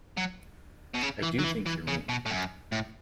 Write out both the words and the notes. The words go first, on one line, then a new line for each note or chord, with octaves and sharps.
I do think you’re mean.
F#3
B2
C#3
E3
F#3
E3
E3
C#3
B2
A2
F#2
A2